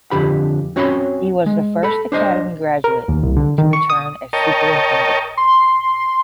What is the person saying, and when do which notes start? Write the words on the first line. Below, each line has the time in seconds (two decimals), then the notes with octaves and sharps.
He was the first Academy graduate to return as superintendent.
0.11 F2 D3 G4 B5
0.76 C4 C#4 F#4 C#5 B5 C6
1.46 G#3
1.83 A4 B5
2.12 D4 C5 D#5
2.84 A#4
3.08 D#2
3.23 C2
3.37 D3
3.58 D#3
3.73 C#6
3.90 D#6
4.33 A#4 C#5 D#5 G5 A5
5.37 C6